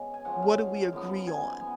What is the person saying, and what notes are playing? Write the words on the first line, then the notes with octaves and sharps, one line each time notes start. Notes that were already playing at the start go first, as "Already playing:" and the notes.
What do we agree on."
Already playing: B2 G#3 C#4
G#5
C#3 F3 G#3 C#4 F#5
F5
F#2 F3 B3 D#4
G#5
G#5
B3